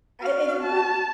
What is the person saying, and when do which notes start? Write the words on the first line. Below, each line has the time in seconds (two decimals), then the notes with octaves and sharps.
I is important.
0.22 F#4 F5
0.63 A5